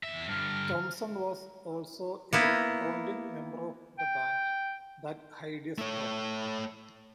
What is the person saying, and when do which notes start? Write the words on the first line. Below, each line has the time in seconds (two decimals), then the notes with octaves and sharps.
Thompson was also a founding member of the band That Hideous Strength.
0.03 E2 E5
0.28 G2 D3 F6
2.33 A#3 B3 E4
3.99 G5
5.78 A3 C#5